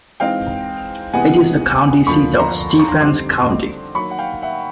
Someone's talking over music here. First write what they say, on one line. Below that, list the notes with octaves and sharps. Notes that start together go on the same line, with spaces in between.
It is the county seat of Stephens County.
E3 G#3 C4 D#4 F5 G5
C3 E3 G#3 B3 F#5 G#5
D3 F3 A#3 B5 C#6
A#5 C6
C6
C#6
A#5 C6
D3 G3 C4 D#4 C6 D6
D#3 F#3 A#3 B5 C#6
F#5
F5 G5
E5 F#5